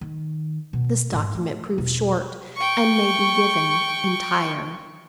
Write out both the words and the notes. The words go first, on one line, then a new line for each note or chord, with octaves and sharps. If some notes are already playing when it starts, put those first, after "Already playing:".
This document proved short and may be given entire.
D#3
B2
A1 G#2
A3
E1 F4
G5 C#6